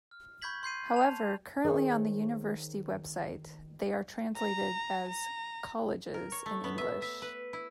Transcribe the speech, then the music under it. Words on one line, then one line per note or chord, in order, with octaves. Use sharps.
However, currently on the University website, they are translated as "colleges" in English.
F6
B5 C#6 G6 G#6 B6 F#7
C6 G6 C7 D#7
A5 F7
D#3 G#4 C5 C#5
A#5
A#5
A#4
C#5
A3
B3
E5
E5
B4
E4